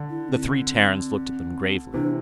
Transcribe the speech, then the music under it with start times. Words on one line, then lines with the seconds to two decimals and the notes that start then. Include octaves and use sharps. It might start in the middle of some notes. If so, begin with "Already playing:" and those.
The three Terrans looked at them gravely.
Already playing: D3
0.10 E4
0.29 C4
1.94 C3 E3 D4